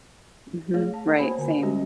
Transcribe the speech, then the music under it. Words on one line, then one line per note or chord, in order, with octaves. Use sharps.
Mhm. Right. Same.
A3 G#4 C#5 F5
A5
A#3 F#4 C5 C#5 G#5 B5
D3 G#5
G3 G#3 C#4 F#4 G4